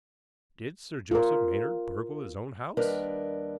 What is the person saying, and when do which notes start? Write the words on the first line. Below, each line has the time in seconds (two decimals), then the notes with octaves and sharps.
"Did Sir Joseph Maynard burgle his own house?"
1.11 F4 A#4
2.77 D#2 G3 D4 A#4 B4 D#5